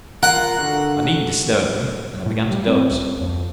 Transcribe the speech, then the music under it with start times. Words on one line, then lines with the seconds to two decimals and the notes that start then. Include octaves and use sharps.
I needn't disturb them; and I began to doze.
0.23 F4 A#4 F#5
0.59 D3 F#4
2.26 A2
2.51 G3
2.67 C4
2.90 C#2
3.21 F2